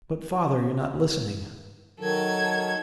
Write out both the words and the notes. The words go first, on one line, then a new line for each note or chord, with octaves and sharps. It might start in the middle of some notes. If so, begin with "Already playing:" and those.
'But, father, you're not listening.
D#3 F#3 A4 G#6